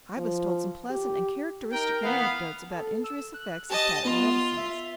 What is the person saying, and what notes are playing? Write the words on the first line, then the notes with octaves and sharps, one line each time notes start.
Pybus told some pleasant and characteristic anecdotes about injurious effects of patent medicines.
F3
G4
D#4 A#4 G5
E3 B3 F5
A4
E6
F#6
G4 D#5 A5
B3 F4
E5